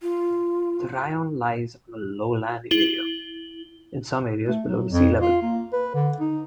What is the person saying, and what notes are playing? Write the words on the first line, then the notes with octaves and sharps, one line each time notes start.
The raion lies on a lowland area, in some areas below the sea level.
F4
E4 F#7 G7
A3
F#3
F2
F4
A#3
B4
D3
D#4